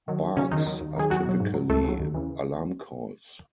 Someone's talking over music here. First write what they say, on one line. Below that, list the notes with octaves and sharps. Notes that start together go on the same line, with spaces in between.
Barks are typically alarm calls.
D#3 F#3
D#2
C#3 F#3 C#4
E2 D#3 D#4
D#3 F#3
D#2
D#3 F#3 G#4
E2 F#3 F#4
B2 F#3
G#2
F#3
C#2 A3 A4
C#3 F#3
D#2
C#3 E3